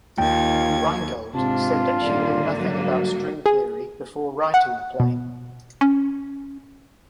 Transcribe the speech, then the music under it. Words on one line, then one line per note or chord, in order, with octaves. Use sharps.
Reingold said that she knew nothing about string theory before writing the play.
D#2 F3 D#4 F4 G5 G#6
G#2 C3 C4 D4 F4 A5
D#1 G#2 D3 A#3 D5
F#3 G3 D4 F#4
G#4
F#5
B2
C#4